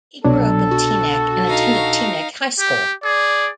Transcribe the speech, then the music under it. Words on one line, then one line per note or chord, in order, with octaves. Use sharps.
He grew up in Teaneck, and attended Teaneck High School.
C2 B2 F#3 D4 A4
F#4
D#4 F5
G4
G#4 D5